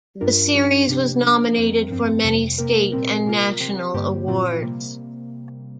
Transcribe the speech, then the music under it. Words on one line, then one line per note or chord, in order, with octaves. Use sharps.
The series was nominated for many state and national awards.
G2 G3 D4 F4 A#4
G2 F3 D4 G4
C3 F3 D4 G4
F3 A#3 D4
F2 F3 C4 A#4
G2 F3 C4
F2 C3 G3
C3 A#3 G4 A#4
A#2 G3 C4 G4 A#4
C3 A#3 F4 A#4
C3 F3 C4 G4
G2 D3 G3 A#3 G4
A#2 F3 C4 F4
C3 G3 A#3